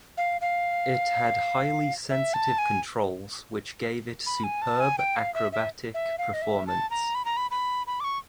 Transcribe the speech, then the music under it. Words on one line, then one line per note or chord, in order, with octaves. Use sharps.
It had highly sensitive controls which gave it superb aerobatic performance.
F5
F5
E5
A5
G#5
B5
G#5
A5
G#5
G5
F5
E5
E5
E5
F5
D#5
E5
A5
A#5
B5
A#5
B5
B5
B5
D6
C#6